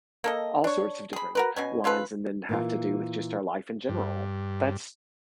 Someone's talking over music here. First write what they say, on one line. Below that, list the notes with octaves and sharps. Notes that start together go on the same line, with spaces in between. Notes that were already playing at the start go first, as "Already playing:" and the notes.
all sorts of different lines, and then have to do with just our life in general? That's
A#3 A4 D#5
D4 C#5
G#4 B5
F#4 A#4 B4
B2 C#4 G#5
C#4 F4 A4 B4
A#2 E3 F4
G2